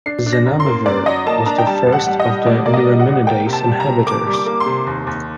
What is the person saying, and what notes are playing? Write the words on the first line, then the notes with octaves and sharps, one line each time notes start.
Zanamivir was the first of the neuraminidase inhibitors.
D4 C7
D4
A#6
F#2
C6
A#3
F#2 D5
F#3 D#5
A#3 A5
D4 A#5
G5
G3 A5
A1
F#5
G3
D#5
G3
A2 D5
A#3 D5
D#5
G3
F#5
A1
A#3 G5
C3
A5
G3
A#5
C3
A#3 D6
G3
D6
A#3
C6
C3
D#2
D#2